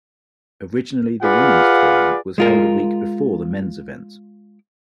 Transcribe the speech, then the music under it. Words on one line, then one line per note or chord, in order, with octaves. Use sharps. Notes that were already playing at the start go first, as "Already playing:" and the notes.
Originally the women's tournament was held a week before the men's event.
F4 G#4 B4 D5 F5 F#5
G#3 F4 A#4